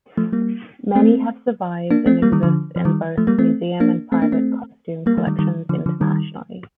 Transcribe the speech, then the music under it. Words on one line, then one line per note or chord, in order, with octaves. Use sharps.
Many have survived and exist in both museum and private costume collections internationally.
F3 A3
G3 A#3
A3 C4
A#3 D4
A3 C4
G3 A#3
D#3 G3
D3 F3
F3
D#3 G3
F3 A3
G3 A#3
A3 C4
A#3 D4
A3 C4
A#3 D4
A3 C4
G3 A#3
F3 A3
D#3 G3
D#3 G3
D3 F3
D3 F3
D#3 G3